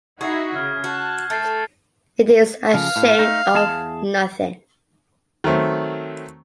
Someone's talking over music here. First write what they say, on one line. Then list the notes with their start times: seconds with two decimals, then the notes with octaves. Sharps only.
It is ashamed of nothing.
0.21 D#4 E4 F#4 G#4 C#6 G#6 C7
0.56 C#3 F6
0.84 F#4 A5
1.30 A3 G6 A6 C7
2.74 C#3 F3 F5
2.96 A2
3.19 A3 D#4
3.54 E2 G#4 A5
5.44 D#3 F#3 A3 C4